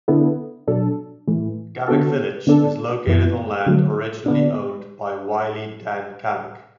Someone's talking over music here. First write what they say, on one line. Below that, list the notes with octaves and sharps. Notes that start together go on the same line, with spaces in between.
Cammack Village is located on land originally owned by Wiley Dan Cammack.
D3 B3 E4 A4
B2 F#3 D4 A4
A2 E3 A3
D3 B3 F#4 A4
D3 B3 D4 A4
F#2 E3 B3 E4
D3 F#3 A3
D3 B3 D4